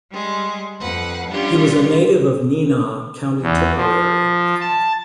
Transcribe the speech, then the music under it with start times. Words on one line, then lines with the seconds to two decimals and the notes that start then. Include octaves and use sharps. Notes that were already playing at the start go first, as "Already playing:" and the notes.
He was a native of Nenagh, County Tipperary.
0.11 G3 G#3
0.78 F2 B4 F#5
1.28 G3 C#4 D4 F4 G4
3.42 E2
3.77 F3
4.61 A5